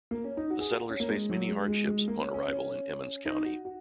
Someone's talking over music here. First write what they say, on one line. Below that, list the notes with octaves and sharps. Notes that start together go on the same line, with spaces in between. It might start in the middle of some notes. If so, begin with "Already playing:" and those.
The settlers faced many hardships upon arrival in Emmons County.
A#3
C#4
D#4
F#4
G#4
F#4
C#4
A#3
G#3
F#3
G#3
G#3
G#3
A#3
C#4
C#4
C#4
D#4
F#4
F#4